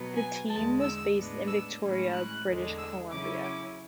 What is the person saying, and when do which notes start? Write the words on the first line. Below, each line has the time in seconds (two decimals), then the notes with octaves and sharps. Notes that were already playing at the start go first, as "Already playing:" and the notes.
The team was based in Victoria, British Columbia.
Already playing: B2 F#3 B3
0.16 G#5
0.48 E2 D3 G#3 A5
0.81 E6
1.14 A2 G#3 B3 D4
1.47 E6
1.79 A2 E3 G#3 C#4 E4
2.12 F#6
2.45 E2 D3 G#3
2.78 E6
3.11 C#3 F#3 C#4 E4 D6
3.43 D6